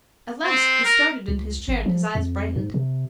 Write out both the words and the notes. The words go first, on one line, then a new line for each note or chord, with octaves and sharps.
At last he started in his chair, and his eyes brightened.
C4
A#4
C#2
G#1
F3
F2
G#2
C3